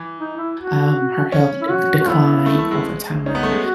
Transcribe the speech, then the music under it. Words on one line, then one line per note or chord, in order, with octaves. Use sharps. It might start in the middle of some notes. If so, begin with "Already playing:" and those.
um, her health de d decline over time,
Already playing: E3
D#4
E4
F#4
C#4
E4
F#4
A3 F#4
B3 E4
A3
A3
G#3
C#4 D#4
B3
A3
G#3
F#4